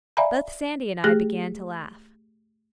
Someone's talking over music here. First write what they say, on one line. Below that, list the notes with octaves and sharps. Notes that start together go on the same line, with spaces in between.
Both Sandy and I began to laugh.
D5 E5 F5 G#5 A#5 B5
A3 G4 G#4 F#6 A#6